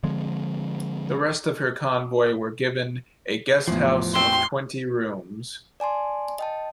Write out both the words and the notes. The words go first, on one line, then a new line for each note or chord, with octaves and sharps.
The rest of her convoy were given a guest house of twenty rooms.
D3 F3 G#3 C4
A1 E2 F3
C4 C6
D5 G#5 A5 C6
D#5 G5 A5